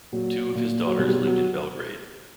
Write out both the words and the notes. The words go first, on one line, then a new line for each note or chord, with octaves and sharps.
Two of his daughters lived in Belgrade.
A#2 F#3
A#2
F#3
B2 G3
G3
F#3
F#3